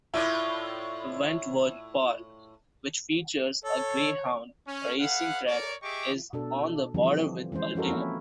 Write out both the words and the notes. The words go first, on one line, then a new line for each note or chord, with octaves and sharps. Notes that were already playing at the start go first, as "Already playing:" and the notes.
Wentworth Park, which features a greyhound racing track, is on the border with Ultimo.
A2 E4 F4 D5
A4 C#5
C#4
G#4 B4 F5 F#5
A#4 C#5 D5
G4 G#4 D#5 E5 C#6 D6
B2 D4 A4
D3 E3 F3 G3 C4
E3 G#3 C#4 C5
F3 C#4 F#4 A4 A#4
A#3 C4 C#4 E4